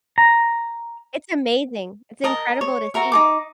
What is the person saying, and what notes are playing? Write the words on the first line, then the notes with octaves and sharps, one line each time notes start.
It's amazing, it's incredible to see.
A#5
A#4 D#5 A5
C#5
F#4 A#4 E5
D#4 A4 D6